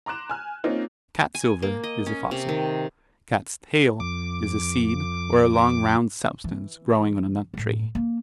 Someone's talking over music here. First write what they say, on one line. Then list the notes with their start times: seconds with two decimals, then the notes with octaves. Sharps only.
Cat-silver is a fossil. Cat's-tail is a seed or a long round substance growing on a nut-tree.
0.06 A#5 C6 D6 F#6 E7
0.30 G#5 F6
0.64 A#3 C4 C#4 D#4 F4
1.35 G#5
1.62 A#3
1.84 D#5
2.06 C#4
2.31 C3
2.49 D#3
4.00 F2 D6
6.44 E3
7.54 F#2 A2
7.95 A#3